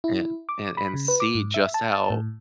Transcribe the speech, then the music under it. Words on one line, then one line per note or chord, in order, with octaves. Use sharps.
and and and see just how
E4
D6
B5
C#3
B4
D6
G#2
E5
A5
A2